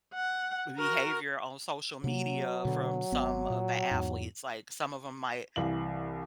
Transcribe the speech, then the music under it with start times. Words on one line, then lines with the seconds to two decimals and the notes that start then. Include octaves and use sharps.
behavior on social media from some of the athletes? Like, some of them might
0.14 F#5
0.77 F#4 A#4
2.04 C3 F#3 A#3
2.65 B2 D3
3.12 G#1 B3
3.50 A#2
3.91 E2 G#2
5.56 C2 E3 F5 F#7